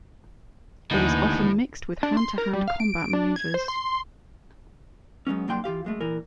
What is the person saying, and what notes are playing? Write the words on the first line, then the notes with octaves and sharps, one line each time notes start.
It is often mixed with hand-to-hand combat maneuvers.
D#2 A2 D3 E3 G#3 B3 D#4
D4
C6
A#4
G3
F5
D7
D4
G#6
C5
C6
C6
F#3 G#3 B3 C#4
C2 F#3 A#3 D4 G5 C6
E3 F4 G4 F5
F#2 G#3 A3
A#2 E3 A#4